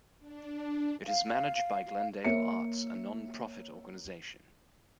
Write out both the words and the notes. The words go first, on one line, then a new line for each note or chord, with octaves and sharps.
It is managed by Glendale Arts, a non-profit organization.
D4
F5
A#3 C#5 E5 C#7